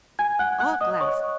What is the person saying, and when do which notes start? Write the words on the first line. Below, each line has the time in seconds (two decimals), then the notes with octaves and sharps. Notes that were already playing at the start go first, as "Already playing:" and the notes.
"All glass."
0.19 G#5 G#6
0.39 F#5 F#6
0.59 F#5 F#6
0.81 D#5 D#6
1.00 C#5 C#6